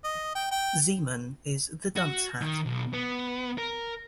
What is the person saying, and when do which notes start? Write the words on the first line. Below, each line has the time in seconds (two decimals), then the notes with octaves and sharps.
Zeeman, is the "dunce hat".
0.04 D#5
0.35 G5
0.51 G5
1.96 F#4
2.42 D#3
2.66 B1
2.94 B3
3.58 A#4